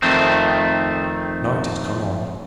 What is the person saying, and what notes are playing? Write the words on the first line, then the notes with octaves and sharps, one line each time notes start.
Night had come on.
F2 D#3 A3 C4